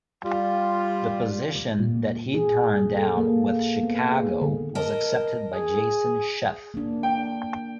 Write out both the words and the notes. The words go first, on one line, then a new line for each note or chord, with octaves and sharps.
The position that he turned down with Chicago was accepted by Jason Scheff.
G3 F4
A#2
G#4
A4
A#3
B3
G#4
D3
A#4 D#5 A5
G#4
A#3 D4
G5